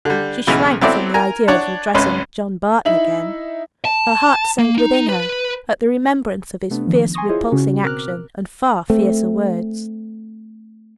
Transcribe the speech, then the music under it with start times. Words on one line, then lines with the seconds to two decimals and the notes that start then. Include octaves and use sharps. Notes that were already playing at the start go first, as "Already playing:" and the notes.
She shrank from the idea of addressing John Barton again; her heart sank within her, at the remembrance of his fierce repulsing action, and far fiercer words.
0.05 D3 G3
0.47 B1 C#3 E3 B3 E4
0.81 F#3 B3 C4 E4 A4 D5
1.14 A#4 G#5 A#5
1.48 D4 C#5 F#5 A5
1.94 G#1 C#2 C#4 B4 C6
2.85 D#4 E4 E5 F#7
3.85 A5
4.59 A#3
4.78 D#4
5.09 B4
6.70 C3 A3 B3 D4
6.87 D#3 F3
7.14 G#5 C6 C#6 D#6 A#6
7.29 E4 F4 G#4 C5 C#5 D#5
7.51 C#3 C#4 F#4 G#4
7.83 B2 C4 A#4 D6 F6 F#6
8.90 A3 C4